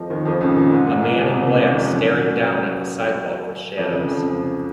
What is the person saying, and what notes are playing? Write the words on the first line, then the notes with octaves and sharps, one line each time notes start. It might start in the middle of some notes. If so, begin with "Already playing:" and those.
A man in black staring down at the sidewalk with shadows.
Already playing: F2 D#3 F3 D#4
D#2 D#3
F2 F3
C#2 C#3
A#2
G#2
A#2
A#2
C2 C3
C2 C3
C#2 C#3
D#2 D#3
F2 F3
F#2 F#3
F2 F3
C#2 C#3
F2 F3
C#2 C#3